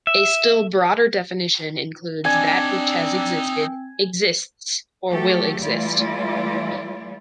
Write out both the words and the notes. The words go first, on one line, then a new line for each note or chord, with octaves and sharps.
A still broader definition includes that which has existed, exists, or will exist.
E5
C4 D4 D#4 A4 G#5
F#3 A3 F#4 G4 A4
E3 G3 A3 E4 F4 D5